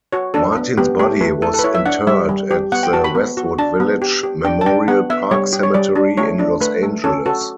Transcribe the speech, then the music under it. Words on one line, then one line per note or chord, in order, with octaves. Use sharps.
Martin's body was interred at the Westwood Village Memorial Park Cemetery in Los Angeles.
F#4 C#5
D4 A4
B3
B3 G4
A3 G4
A3 B4
E4 A4
A4
B4
E4 C#5
E5
D4 F#5
G3 E5
G3
G4
B3 F#5
G5
F#4 A5
B5
B3
F#4
D4 A5
B3
G4
G4
D4 G5
A5
D4 G5
B3 F#5
B3 E5
G3 C#5
G4
C#5
G3 D5
D4
A3 C#5
D4
A3 B4
A3
C#4 A4
F#4 A4